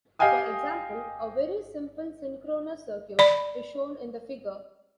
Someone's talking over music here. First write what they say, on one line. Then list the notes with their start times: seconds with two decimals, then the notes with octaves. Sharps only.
For example, a very simple synchronous circuit is shown in the figure.
0.19 G4 D#5 F5 G5 G#5 D#6
3.19 D5 B5